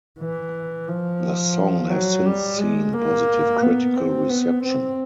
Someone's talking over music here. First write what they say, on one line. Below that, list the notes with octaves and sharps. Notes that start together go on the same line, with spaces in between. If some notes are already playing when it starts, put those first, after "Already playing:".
The song has since seen positive critical reception.
E3
F3
F#3
G3
G#3
A#3
B3
C4
B3
C4